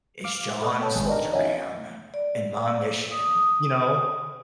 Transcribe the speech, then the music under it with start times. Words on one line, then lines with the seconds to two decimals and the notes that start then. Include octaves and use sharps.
is John Soldier Man and my mission" you know,
0.24 F5 D6
0.62 A3 B4 D5 D#5
0.79 A4 C#5 G5 B5
0.95 G#1 G#4
1.09 D4 D#4 G4 A#4
1.33 C#4 D#4 E4 F#4 G#5
2.14 D5
3.11 D#6